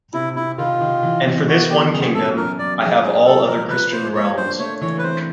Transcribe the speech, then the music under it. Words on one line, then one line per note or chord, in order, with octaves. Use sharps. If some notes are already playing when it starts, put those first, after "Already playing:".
And for this one kingdom, I have all other Christian realms.
C3 E4
C3 E4
D#3 F4
D#3
E3
E3
B3 F#4
B3 G4
F#2 G#4
F#3 A4
F#2 A#4
F#2 D5
D#4 G#4
D#4 G#4
A#3 A4
F3 A#4
F3 B4
A#3 C5
A#3 C#5
D4 C5
A3 C#5
E3 C#5
B4
C4 C5